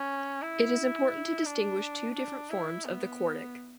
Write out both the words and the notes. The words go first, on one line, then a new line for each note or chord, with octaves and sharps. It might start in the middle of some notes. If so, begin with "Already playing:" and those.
It is important to distinguish two different forms of the quartic.
Already playing: C#4
E4
D4
D4
E4
B3